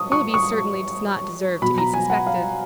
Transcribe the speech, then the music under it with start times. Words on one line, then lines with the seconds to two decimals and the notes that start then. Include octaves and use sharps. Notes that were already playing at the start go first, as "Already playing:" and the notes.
Willoughby certainly does not deserve to be suspected.
Already playing: F#3 C#6 D#6
0.12 C#6
0.34 C#6
1.62 B2 F#3 B5
1.78 A#5
1.94 G#5
2.10 F#5
2.27 F5